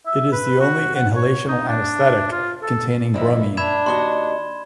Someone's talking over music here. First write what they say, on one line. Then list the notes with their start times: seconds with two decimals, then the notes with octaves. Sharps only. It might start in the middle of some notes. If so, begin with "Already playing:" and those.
It is the only inhalational anesthetic containing bromine.
0.07 E5
0.32 B4
0.60 F#4
0.95 F#5
1.16 C#5
1.48 D#4
1.68 D4
2.32 F4
2.62 A4
3.14 D3 F3 D#4 E4
3.57 D4 E5 B5 G#6 E7
3.86 D#2 F#4 D#5 C6 G7